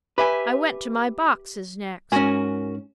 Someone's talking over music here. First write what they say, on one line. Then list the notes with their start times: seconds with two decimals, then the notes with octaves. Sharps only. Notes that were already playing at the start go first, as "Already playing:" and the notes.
I went to my boxes next.
0.18 G4 B4 E5 G#5
2.12 G#2 C#4 F#4 A#4 G#5